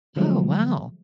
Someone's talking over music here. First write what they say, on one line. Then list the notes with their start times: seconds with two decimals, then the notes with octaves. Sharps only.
Oh, wow.
0.16 D3 F3 F#3 G#3 A3